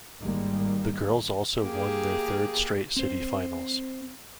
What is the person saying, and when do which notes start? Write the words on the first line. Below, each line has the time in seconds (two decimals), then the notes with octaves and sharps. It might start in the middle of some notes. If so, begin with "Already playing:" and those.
The girls also won their third straight city finals.
0.21 G#1 G#2 D#3 G3 G#3 A#3
1.61 A#3 G4 G#4
2.97 C4 C5